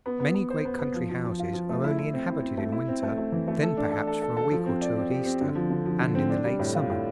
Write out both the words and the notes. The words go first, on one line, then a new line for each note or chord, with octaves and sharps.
Many great country-houses are only inhabited in winter, then perhaps for a week or two at Easter, and in the late summer.
B3
B3
B3
C5
B3
B3
F3
F3
F3
F4
F3
A3
E4
E4
C4
E4
C4
A3
E4
C4
A3
A3
E3
A3
A4
D4
A4
A4
A4
A4
F3
C4
D5
C4
G4
C4
D3
F3
D3
F3
D3
C4
D4
G3
A2
F4
A2